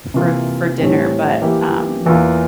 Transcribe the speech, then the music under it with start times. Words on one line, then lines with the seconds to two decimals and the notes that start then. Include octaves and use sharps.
for for dinner, but, um,
0.14 C3 E3 A#3 F4
0.78 A2 E3 G3 C4
1.42 E3 A#3 E4 G4
2.06 E2 E3 A#3 F4